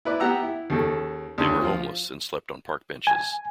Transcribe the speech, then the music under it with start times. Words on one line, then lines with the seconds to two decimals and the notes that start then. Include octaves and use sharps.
They were homeless and slept on park benches.
0.05 E4 B4 D5
0.20 B3 G4 F#5 A#5 E6
0.43 E4
0.70 D#2 C#3 A4
1.38 D2 C#4
1.61 F3 F4
3.07 G#5